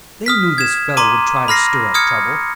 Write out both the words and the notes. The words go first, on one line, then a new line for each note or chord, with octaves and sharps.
They knew this fellow would try to stir up trouble.
D#6 F6 B6
G#6 E7
A#5 C6 D6 D#7
B5 F6 A#6 C7
D#6 F6 G#6 C#7